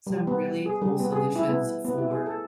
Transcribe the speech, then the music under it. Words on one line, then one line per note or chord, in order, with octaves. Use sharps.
some really cool solutions for
G3
B3
G#4
G3
B3
G#4
E4
B3
B3
E4
G#4
A4